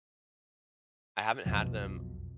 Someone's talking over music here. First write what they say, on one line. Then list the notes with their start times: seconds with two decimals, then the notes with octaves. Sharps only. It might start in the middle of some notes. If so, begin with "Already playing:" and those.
I haven't had them
1.46 B1 F2 B2 F3